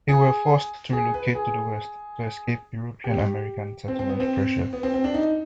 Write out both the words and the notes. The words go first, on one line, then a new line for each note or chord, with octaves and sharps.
They were forced to relocate to the west to escape European-American settlement pressure.
G#4
G#4
B4
G#4
G4
C4
C4
B3
C4
B3
C4
C4
D4
D#4